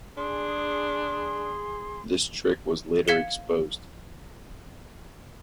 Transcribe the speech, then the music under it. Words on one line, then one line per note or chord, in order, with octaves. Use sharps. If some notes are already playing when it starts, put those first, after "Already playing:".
This trick was later exposed.
D4 G#4 C6
F5 G#6 B6 C#7 E7 G7